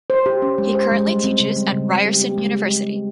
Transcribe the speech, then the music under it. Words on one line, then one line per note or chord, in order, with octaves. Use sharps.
He currently teaches at Ryerson University.
C5
G4
C#4
G#3
C5
G#3
G3
C4
C#3
G3
C#3
C#3
G4
G4
G#3